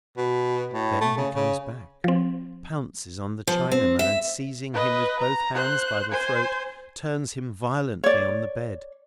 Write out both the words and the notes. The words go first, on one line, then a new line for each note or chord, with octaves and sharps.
Then he comes back, pounces on the Chinaman, and seizing him with both hands by the throat, turns him violently on the bed.
B2
A2
A3
C#3
C#3
F3 C4
F3
C4
E5
B4 D#5
A#5
C5 F#6
C5 G#5
C#5 D5